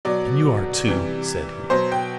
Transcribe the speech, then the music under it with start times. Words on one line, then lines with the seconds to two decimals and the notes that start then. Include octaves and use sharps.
"And you are, too," said he.
0.05 B2 F#3 D5
0.88 C3 E3 G3
1.70 B2 F#3 C5
1.92 G5